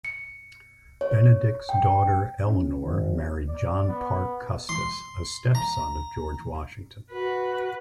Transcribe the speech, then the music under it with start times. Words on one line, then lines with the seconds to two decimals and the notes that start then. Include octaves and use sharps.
Benedict's daughter, Eleanor married John Parke Custis, a step-son of George Washington.
0.05 C#7
1.01 C#5
1.69 G5
2.47 C#4
2.81 G#1
3.49 D5
3.88 B3
4.69 C6
5.55 A#5
7.11 F#4 B4